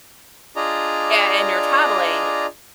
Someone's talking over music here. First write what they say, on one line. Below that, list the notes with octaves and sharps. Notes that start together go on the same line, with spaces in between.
a and you're traveling
D4 F4 G#4 D5 D#5 A#5